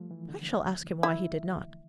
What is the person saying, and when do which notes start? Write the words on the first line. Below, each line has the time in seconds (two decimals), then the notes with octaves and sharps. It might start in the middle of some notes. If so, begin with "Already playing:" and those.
I shall ask him why he did not.
Already playing: F3 G3 A3
0.11 E3
0.29 D3
1.03 E4